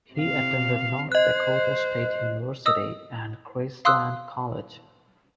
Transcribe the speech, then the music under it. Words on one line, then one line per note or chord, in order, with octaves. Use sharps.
He attended North Dakota State University and Graceland College.
C3 F5
C5 D#5 F#6
D#5 D#6 E6
F5 C6 D#6 E6 F#6